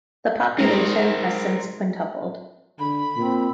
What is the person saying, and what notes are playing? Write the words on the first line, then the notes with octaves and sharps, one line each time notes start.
The population has since quintupled.
G#3 C4 D#4 A#4
D3 B5
A#2 C4